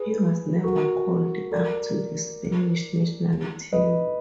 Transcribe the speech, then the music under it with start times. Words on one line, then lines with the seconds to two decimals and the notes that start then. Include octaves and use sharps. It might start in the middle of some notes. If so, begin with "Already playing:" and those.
He was never called up to the Spanish national team.
Already playing: G#4 B4
0.64 F#4 A#4
1.52 A#4 D5
3.72 B4 D#5